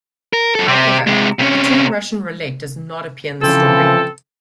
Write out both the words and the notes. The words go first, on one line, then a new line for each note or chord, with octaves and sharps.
However, the term "Russian roulette" does not appear in the story.
A#4
F#2 A4
C3 C4
C3 G#3
C3 C#4
C#3 E3 F3 C4 A4